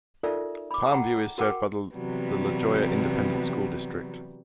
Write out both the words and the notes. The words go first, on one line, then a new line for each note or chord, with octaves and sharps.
Palmview is served by the La Joya Independent School District.
D#4 F4 A4 A#4 D5 E5
B5 D6
F#5 G5 A#5
F#4 A#4 F#5 G5 D6
C3 E3 F#3 G3 B3